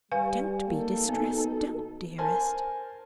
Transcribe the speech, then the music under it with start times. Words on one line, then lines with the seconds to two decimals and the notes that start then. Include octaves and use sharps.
"Don't be distressed; don't, dearest!"
0.12 G3 B4 F5 G#5
0.68 A#3 D#4 A4
1.09 B2 B3
2.18 A#4 C5 G#5 A5